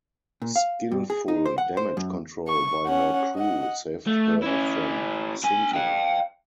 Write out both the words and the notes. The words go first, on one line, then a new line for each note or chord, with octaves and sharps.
Skillful damage control by her crew saved her from sinking.
A#2
F5
G2
G#4
D#4
C5
F#5
C5
F#2
C#6
C#4 F#5
D#5 F#5
A3
C#4 E4
D4 G#5
F5 G5